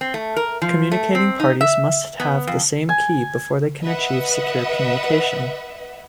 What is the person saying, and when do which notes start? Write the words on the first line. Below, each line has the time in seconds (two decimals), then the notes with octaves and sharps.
Communicating parties must have the same key before they can achieve secure communication.
0.01 C4
0.14 A3
0.36 A#4
0.62 F3
0.92 A3
1.15 C4
1.40 D#4
1.61 E5
2.20 B3
2.47 F2
2.89 G#5
3.82 B4 D#5 E5 F#5